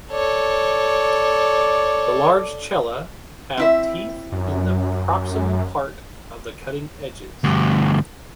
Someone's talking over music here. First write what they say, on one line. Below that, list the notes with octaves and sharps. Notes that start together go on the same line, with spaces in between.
The large chela have teeth in the proximal part of the cutting edges.
A4 C#5 D5
C4 E4 E5
F#2
D2 G2